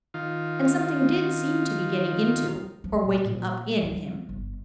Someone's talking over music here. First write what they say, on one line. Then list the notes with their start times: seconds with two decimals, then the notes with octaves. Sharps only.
And something did seem to be getting into, or waking up in, him.
0.14 D#3 F4
2.84 E3 F3
3.04 A#2
3.24 A#2
3.81 F3 G3
4.29 G1